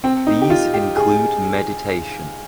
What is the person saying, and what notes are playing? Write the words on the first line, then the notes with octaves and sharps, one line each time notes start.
These include mediation.
C4
D#4
G4
F4
G4
G#4